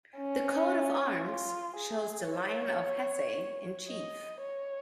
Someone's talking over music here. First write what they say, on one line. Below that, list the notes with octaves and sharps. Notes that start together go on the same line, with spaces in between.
The coat of arms shows the lion of Hesse in chief.
C#4
F4
G#4
C#5
D#5
C#5